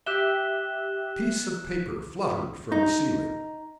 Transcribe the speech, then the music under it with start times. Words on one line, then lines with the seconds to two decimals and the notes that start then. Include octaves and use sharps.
A piece of paper fluttered from the ceiling.
0.06 G4 E5 F#6 E7 G7
2.72 D#4